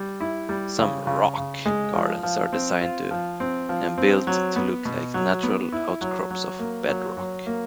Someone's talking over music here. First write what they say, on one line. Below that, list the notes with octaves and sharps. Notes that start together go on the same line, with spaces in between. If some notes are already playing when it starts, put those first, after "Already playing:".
Some rock gardens are designed and built to look like natural outcrops of bedrock.
Already playing: G3
E4
G3
C#3
C#3
C#3
G#3
F3
F3
C4
F4
F3
C4
F3
C4
F#3
B3
B2
F#3
B3
E4
F#3
F#3
A#3
F#3
F#3
A#3